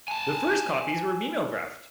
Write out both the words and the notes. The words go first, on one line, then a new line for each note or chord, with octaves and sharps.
The first copies were mimeographed.
G#5 A5